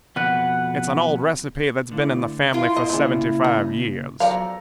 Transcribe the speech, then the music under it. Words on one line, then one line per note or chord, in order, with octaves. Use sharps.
It's an old recipe that's been in the family for seventy-five years.
F2 B2 B4 F#5
A#2 D3 A3 E4
E4 F4 A#4
B2 D#5
A#2 C#3 C4 G#4
D#4
E2 F3 F#3 A4 D5 F5 A#5